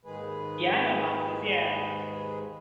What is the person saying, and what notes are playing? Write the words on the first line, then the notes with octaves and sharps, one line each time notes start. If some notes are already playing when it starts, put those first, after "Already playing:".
Yeah, I know Maltas, yeah.
D#2 G#2 D#3 G#3 G#4 B4